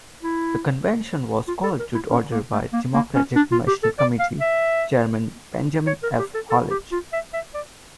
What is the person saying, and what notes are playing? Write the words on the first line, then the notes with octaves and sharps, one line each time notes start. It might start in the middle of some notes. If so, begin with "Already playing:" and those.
The convention was called to order by Democratic National Committee chairman Benjamin F. Hallett.
E4
F4
A4
A#4
E4
C#4
A#3
A3
A#3
A#3
C#4
D4
F4
G4
A4
D5
F5
E5
C#5
A#4
G4
A4
A4
G4
F4
E5
E5
D5